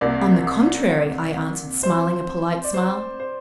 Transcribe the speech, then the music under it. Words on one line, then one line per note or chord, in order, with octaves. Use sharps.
'On the contrary,' I answered, smiling a polite smile.
C2 C3 A#3 D5
C5
D5
C5
C5